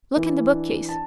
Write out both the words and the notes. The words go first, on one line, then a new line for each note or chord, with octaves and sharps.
Look in the bookcase!
E3
D4
A5